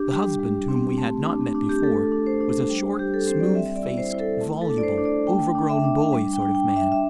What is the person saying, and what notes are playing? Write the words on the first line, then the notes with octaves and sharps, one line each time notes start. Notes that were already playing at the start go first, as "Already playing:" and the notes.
The husband, whom we had not met before, was a short, smooth-faced, voluble, overgrown-boy sort of man.
Already playing: D4 G4
G3
G3
C4
A3
D4
D4
G4
A3 A4
D4
C5
D4
G3
G3 G4
A4
C4 C5
D5
G3 E5
D5
E4
C5
E4 C5
A4
A3
A4
D4
D5
C5
D4
D5
A3 G5
D4
E5
D4
G3
G5
D4
G5
D4
E5
E5